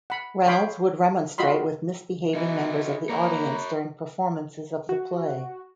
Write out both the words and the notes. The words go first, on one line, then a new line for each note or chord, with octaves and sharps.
Reynolds would remonstrate with misbehaving members of the audience during performances of the play.
F#5 B5
C#5 F5 G5 B5 C6 D#6
F4 F#4 D#5 B5 C6
E3 D#4 F#4
A#3 A#4 C#5 B5
F#4